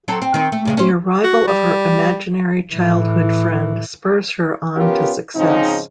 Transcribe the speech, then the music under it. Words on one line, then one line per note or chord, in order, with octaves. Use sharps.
The arrival of her imaginary childhood friend spurs her on to success.
F#3 C4 A4
C4
D#3 C4
A3
G2 C#3 G#3
C#4 C5
F#4
G3
A2 E3
B3 C#4 F4 G4 A#4
G#2 C#3 F3 C4 D#4